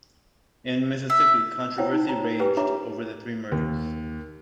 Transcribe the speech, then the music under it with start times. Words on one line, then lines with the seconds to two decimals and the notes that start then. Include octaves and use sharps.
In Mississippi, controversy raged over the three murders.
1.10 E5
1.78 E4 F4 C5 C#5 F#5 G5
1.93 D#4
2.09 A#5
2.24 A#4
2.40 G4 G#4 B4 G5 G#5
2.57 D4 F4 C#5 E5 A#5 D6
3.52 D#2